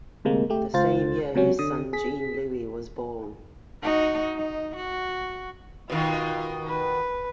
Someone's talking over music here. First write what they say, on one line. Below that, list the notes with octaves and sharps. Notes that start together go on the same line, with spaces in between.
This same year his son Jean-Louis was born.
D2 C3 G#3 A#3
A3 G4
C#2 F4 C5 A6
C#2 C3 F#3 C#4
D3 D#6
G#4 B6
D#4 F#4
D#4
F#4
B2 D#3 F4
B4